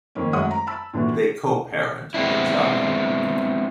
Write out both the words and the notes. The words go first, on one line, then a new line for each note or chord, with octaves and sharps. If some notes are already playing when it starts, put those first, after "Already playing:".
They co-parent the child.
F2 D#3 A#3 C#4
F#2 G#3 A3 C#5 F#5 D#6
A#5
A5 B5 E6
A#2 D3 E3 C#4 F#4
G#3 B3 C4 D4 E4